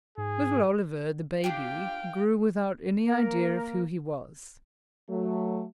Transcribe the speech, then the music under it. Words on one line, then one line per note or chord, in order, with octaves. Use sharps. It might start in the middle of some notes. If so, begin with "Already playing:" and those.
Little Oliver, the baby, grew without any idea of who he was.
G#2 G#4
D4 F4 G4 F5 G5
A#3 A#4
F#3 A3